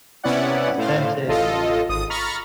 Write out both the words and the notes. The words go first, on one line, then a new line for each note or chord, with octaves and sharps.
authentic and
C3 B3 C#4 E4 D5 F#5
A2 C5 F5
A1 F4 A4 D#5
G#1 D#6
A#5 B5 C#6 F6 A6